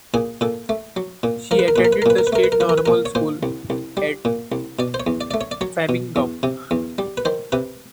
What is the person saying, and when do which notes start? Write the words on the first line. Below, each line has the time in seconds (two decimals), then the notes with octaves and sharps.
She attended the State Normal School at Framingham.
0.14 A#2 G#4
0.41 A#2 A4
0.69 A3
0.96 F#3
1.23 A#2
1.51 F3 A#4
1.59 B4
1.68 A#4
1.76 A#2 B4
1.85 A#4
1.93 B4
2.02 A#4
2.06 A#2 B4
2.18 A#4
2.27 B4
2.32 A3 A#4
2.44 B4
2.52 A#4
2.60 F3 B4
2.69 A#4
2.78 B4
2.86 A#2 A#4
3.06 C#5
3.15 A#2 C5
3.43 C2
3.70 C2
3.97 G3
4.25 A#2
4.52 C2
4.79 B2 D5
4.94 C5
5.00 C#5
5.07 E2
5.21 D5
5.31 A3 D5
5.41 C#5
5.51 D5
5.61 F#3 C#5
5.89 B2
6.16 E2
6.43 C3
6.71 E2
6.98 G3
7.17 B4
7.25 D#3 C5
7.52 C3 B4